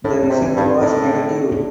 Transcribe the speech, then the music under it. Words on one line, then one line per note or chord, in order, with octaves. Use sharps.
The result was negative.
A2 D4
C4
C3
D4
G2
E4
A2 D4
D4